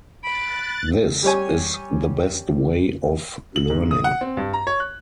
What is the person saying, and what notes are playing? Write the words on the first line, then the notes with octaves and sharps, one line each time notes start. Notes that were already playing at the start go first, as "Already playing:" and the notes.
This is the best way of learning.
B5 F#6 A6 D7
G3 G4 C#5 G#5
F#7
G#2
D#6
F#5
C4
G2
A#5
C#5
F#6